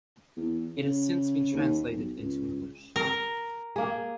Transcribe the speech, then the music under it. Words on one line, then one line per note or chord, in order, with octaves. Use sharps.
It has since been translated into English.
E2
C#3
D#2
B1
C#2
A#4
A#3 G#4